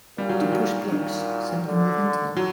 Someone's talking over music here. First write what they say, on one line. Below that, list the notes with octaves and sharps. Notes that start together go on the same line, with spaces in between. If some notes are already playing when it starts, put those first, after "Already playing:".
To push blocks, simply move into them.
A#2 G3
F#3
D#3
F#3
A#2 D#3
D3
F#3